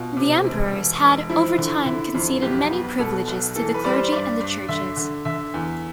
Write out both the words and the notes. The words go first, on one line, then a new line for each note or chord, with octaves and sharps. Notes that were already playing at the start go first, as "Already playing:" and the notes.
The emperors had, over time, conceded many privileges to the clergy and the churches.
Already playing: B2 F4
C3
E1
E1
E1
F3 E4
D3
D3 E4
F2
B1 G4
B3
B2 A4
B1
E3 A4
B4
G3 D5
C5
G2 D5
G2
D3 E5
D3
D3 E5
E2